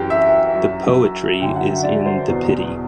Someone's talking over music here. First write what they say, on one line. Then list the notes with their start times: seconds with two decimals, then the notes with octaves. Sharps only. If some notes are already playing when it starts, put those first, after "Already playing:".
The Poetry is in the pity.
Already playing: F#2 E3 G4
0.10 E5
0.54 F#2 F#3
1.40 F#2 D3 F#3 G5
1.56 F#5
1.70 E5
1.83 D5
2.06 C5
2.28 E2 B2 F#3